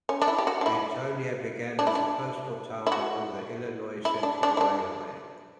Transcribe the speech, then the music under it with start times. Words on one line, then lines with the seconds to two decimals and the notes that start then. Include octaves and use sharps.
Bentonia began as a postal town along the Illinois Central Railway.
0.09 C#4
0.22 D4
0.28 E4
0.38 G4
0.47 F#4
0.61 D4
0.66 E4
1.79 D4
1.87 E4
1.95 D4
2.87 E4
2.92 F#4
4.05 E4
4.23 D4
4.43 D4
4.57 E4
4.61 D4